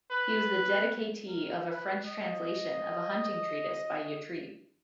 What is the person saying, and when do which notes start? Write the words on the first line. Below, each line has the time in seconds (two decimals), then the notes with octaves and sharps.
He was the dedicatee of a French translation of a hunting treatise by Yatrib.
0.11 B4
1.28 A#4
1.67 B4
2.06 D#5